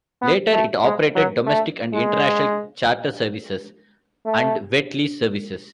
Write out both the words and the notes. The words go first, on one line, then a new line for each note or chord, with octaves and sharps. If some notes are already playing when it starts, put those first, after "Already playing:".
Later it operated domestic and international charter services and wet lease services.
B3
A3
G#3
F#3
A3
G#3
A3